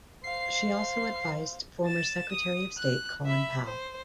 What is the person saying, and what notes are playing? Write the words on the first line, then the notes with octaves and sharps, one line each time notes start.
She also advised former Secretary of State Colin Powell.
C5 F5 C7
A6 E7
D#6
F#6
E5 B5
C5